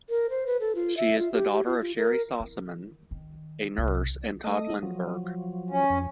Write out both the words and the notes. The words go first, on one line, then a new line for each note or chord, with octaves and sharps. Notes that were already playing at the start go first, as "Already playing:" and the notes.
She is the daughter of Sherry Sossamon, a nurse, and Todd Lindberg.
A#4
C5
B4
A4
F4
E5
F4
G4
G4
F4
F4
A#4
E4
D#3
C2
A3 D#5
F3 F#3
C#4
F2